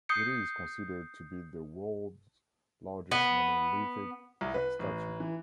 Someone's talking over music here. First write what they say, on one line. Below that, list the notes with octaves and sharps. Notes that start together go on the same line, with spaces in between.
It is considered to be the world's largest monolithic statue.
D#6 G6 C7 C#7
B3
C2
B4
A1
E3